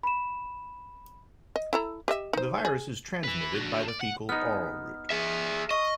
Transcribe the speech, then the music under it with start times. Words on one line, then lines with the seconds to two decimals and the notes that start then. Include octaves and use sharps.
The virus is transmitted by the faecal-oral route.
0.03 B5 E7
1.56 D#5
1.73 E4 A4 A#5
2.08 G4 D#5 E5
2.33 D#4 C5
2.65 G#4
3.24 E4 B4
3.54 D4 F#4
3.89 D5
4.01 F#5
4.29 B3 D#4 F6
5.10 G#4 E5
5.71 D#5 C#6